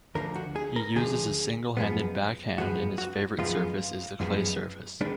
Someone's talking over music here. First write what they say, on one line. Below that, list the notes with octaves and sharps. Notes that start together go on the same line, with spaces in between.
He uses a single-handed backhand and his favorite surface is the clay surface.
D2 D3 F3 A#4
F#4
G#4
A#4
D2 D3 F3 G#4
F#2 F3 G#3 B3
F#2 F3 G#3 B3 F#4
F#4
F#2 F3 G#3 B3 F4
F#2 F3 G#3 B3
D#3 G#3 B3 D4